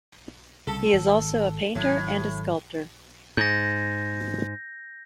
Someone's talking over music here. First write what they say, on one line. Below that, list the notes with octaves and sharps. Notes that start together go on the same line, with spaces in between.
He is also a painter and sculptor.
C2 C#3 A4
G#1
G#1 A2 F#3
G#2 G6 A#6